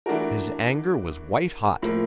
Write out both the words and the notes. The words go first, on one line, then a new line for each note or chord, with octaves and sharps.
His anger was white hot.
E3 A3 D4 F#4 A#4
A2 F3 A#3